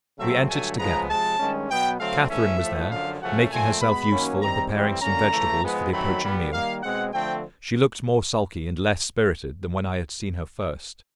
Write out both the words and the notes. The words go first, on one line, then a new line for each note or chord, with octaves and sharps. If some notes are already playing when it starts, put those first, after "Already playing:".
We entered together; Catherine was there, making herself useful in preparing some vegetables for the approaching meal; she looked more sulky and less spirited than when I had seen her first.
C#3 F#3 A3 C4 E5
G2 D3 F#3 A3 G#5
C#3 F3 G#3 B3 A#5
C3 F3 G#3 A5
G2 D#3 G#3 C#4
B2 F#3 B3 G5
D3 F#3 A3 C4 F5
G#2 E3 A3 C#4 E5
A2 F3 A3
F#2 D3 F3 F5
F#2 C#3 F3 A3 C#4 F#5
A#2 F3 A3 C4 G#5
B2 G#3 B3 B5
F#2 D#3 F#3 A#3 C#4
D#3 G3 C4 A#5
A2 E3 G3 C4
D3 F#3 A#3 C#4 A#5
C#3 E3 A3
G#2 F3 G#3 B3
F#2 D#3 F#3 A3 C4 B5
A#2 G3 B3
D#3 G3 A#3 F5
B2 G#3 C4 F#5
D3 F3 A3 C4 G5